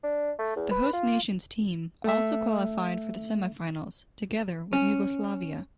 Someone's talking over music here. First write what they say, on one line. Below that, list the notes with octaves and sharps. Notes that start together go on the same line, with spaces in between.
The host nation's team also qualified for the semifinals together with Yugoslavia.
D4
A3
E2
B4
F4
A3 E5
C#4